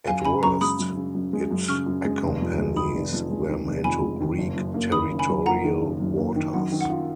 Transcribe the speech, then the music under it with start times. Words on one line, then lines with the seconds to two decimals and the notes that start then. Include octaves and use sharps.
At worst, it accompanies them into Greek territorial waters.
0.07 F#2 F5 G#5
0.25 C#3 G#5 B5
0.43 F#2 A#5 C#6
0.61 G#3 B5 D#6
0.79 F#2
0.97 C#3
1.15 F#2
1.33 G#3
1.51 F#2
1.68 C#3 C#6 F6
1.86 F#2
2.05 G#3
2.23 F1
2.41 F2
2.59 G#3
2.76 D#3 B5 D#6
2.95 F1
3.12 F2
3.30 G#3
3.49 D#3
3.66 F1
3.84 F2 G#5 B5
4.02 G#3
4.20 D#3
4.38 F#1
4.57 F#2
4.74 A#3
4.92 D#3 B5 D#6
5.10 F#1
5.19 G#5 B5
5.28 F#2
5.46 A#3 F#5 A#5
5.64 D#3
5.82 F#1
6.00 F#2
6.18 A#3
6.36 D#3
6.54 F#2 F#5
6.72 D#3
6.81 F#5
6.90 F4